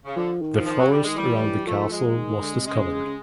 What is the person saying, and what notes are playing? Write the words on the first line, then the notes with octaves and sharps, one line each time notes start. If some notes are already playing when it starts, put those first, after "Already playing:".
The forest around the castle was discovered.
C#3
D3 F3
D#3
F3
F3
C3 F#3
C#3 G3
D3
D#3 G#3
E3 G3
F3 A3
E3
F3 G#3
D#3
D3
C3
C#3 G#3
C#3